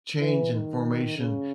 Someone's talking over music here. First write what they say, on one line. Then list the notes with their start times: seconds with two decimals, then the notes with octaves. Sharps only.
change in formation
0.20 E3
0.53 D#3
1.18 C#3